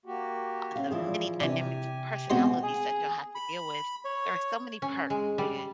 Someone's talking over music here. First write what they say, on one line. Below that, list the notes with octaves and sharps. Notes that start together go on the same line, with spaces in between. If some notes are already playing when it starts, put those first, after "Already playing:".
a the many dynamics and personalities that you'll have to deal with. There are so many perks to,
A#3 F#4 G4
C4 C#4 F5
A#2 E3 F3 G3 G#4
C3 E3 D4 G4 G#5
B2 G#3 C4 F#4 D#5 C6
G#4
B5
C#5
C#4
G#3
G3